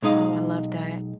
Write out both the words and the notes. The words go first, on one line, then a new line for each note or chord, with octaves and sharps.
Oh, I love that,
B1 G#3 D#4 D#5 F5